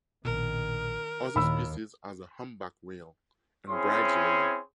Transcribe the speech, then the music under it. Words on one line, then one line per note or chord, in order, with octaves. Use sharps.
Other species are the humpback whale and Bryde's whale.
A#1 B2 D#3 A#4
D#2 A#2 D#3 B5 E6
C4 C#4 E4 G#4 C6